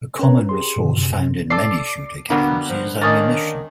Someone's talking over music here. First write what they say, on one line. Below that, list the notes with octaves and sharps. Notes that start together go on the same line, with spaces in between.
A common resource found in many shooter games is ammunition.
C#4 A#4 B4 C#5 A#5
G4 G#4 C6
G2 B2 D3 D#3
F#2 C3
A4 D5 D6 C7
D3 F#3 G3 A#3 B3
F3
D#3 A#3 C#4 D4 D#5 D#6 A6